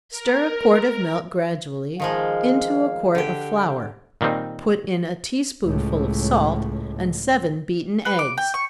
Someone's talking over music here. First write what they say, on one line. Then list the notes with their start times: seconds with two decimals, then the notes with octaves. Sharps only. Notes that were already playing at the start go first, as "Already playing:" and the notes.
Stir a quart of milk gradually into a quart of flour--put in a tea-spoonful of salt, and seven beaten eggs.
0.10 A#4
2.00 D#3 F3 G#3 F5
3.15 D3 G4
4.21 A#2 D#3 G3 C4 D#4
5.64 C#2 A2
8.05 B4
8.19 D6
8.37 G5
8.54 C#6